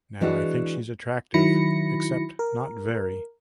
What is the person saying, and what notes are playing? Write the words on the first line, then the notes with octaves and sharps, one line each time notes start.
Now I think she's attractive, except not very.
E3 G#3 D4 F#4
D#3 F#3 E4 B5 A#6 C#7
A#4